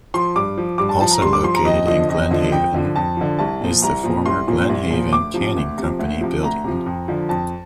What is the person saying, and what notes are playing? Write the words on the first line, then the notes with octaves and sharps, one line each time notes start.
Also located in Glen Haven is the former Glen Haven Canning Company building.
F3 C6
G2 D6
F3
G2 D6
A5
F3 A5
A#5
G2 C6
D6
F3 C6
A#5
F2 D#5
D3 F3 D#5
F2 D#5
D3 F3 D#5
F2 G5
D3 F3
F2 A5
D3 F3
C2 A5
A#2 F3
C2 A#5
A#2 F3
C2 C6
A#2 F3
C2
A#2 F3
D2 D6
C3 F3
D2
C3 F3
D2
C3 F3
D2 A#5
C3 F3
F2
D3 F3
F2 A5